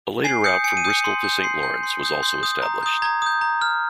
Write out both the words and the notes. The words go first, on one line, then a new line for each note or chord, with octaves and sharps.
A later route from Bristol to Saint Lawrence was also established.
G#5 C7
D#6 G6 C#7
G#5 C#7
D#7
D#6 G6
C#7
C6
G6
C6 C7
G6
C6
D#6 G6
C6 G6
D#6 G6
A#5
D#6 G6
A#5 G#6
D#6 G6
A#5
F6